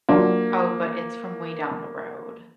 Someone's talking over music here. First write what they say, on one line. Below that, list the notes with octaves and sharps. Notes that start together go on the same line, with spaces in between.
Oh, but it's from way down the road.
F#3 A#3 D4 F4